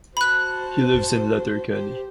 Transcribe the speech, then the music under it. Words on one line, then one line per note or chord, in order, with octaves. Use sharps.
He lives in Letterkenny.
F#4 C5 A5 B5 F#6
G4 C5